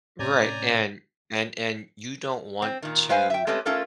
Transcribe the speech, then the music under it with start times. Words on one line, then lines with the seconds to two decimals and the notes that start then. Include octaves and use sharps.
Right, and and and you don't want to,
0.19 A2 C3 C#4 C#5 D5 G#5 A#5 G6
2.62 C4
2.82 A#2 D#3
3.09 G#3 B4 C5 F5 G#5
3.30 E5 G5
3.47 G#3 A3 C4 C#4 G4 B4
3.65 A3 C#4 F4 A4 A#4